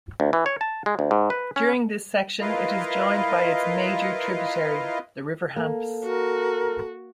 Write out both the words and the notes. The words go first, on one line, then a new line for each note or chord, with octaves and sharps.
During this section it is joined by its major tributary, the River Hamps.
D2
E3
C#5
A5
G#3
D2
G#2
B4
C#4
E4 F4 A#4 B4 D#5 F5
A#3 A4
F#4 A#4